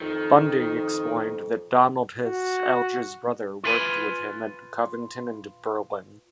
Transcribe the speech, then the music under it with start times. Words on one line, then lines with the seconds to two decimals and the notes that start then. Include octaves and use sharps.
Bundy explained that Donald Hiss, Alger's brother, worked with him at Covington and Burling.
0.01 F2 D#3
2.24 F#4
3.64 F4 B4 G#5